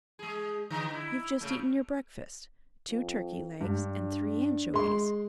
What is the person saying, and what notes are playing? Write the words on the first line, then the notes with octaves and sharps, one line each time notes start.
"You've just eaten your breakfast--two turkey eggs, and three anchovies."
G#3 G#4
D3
E4
C#3 A3
F2
G2 D4
G#3 C6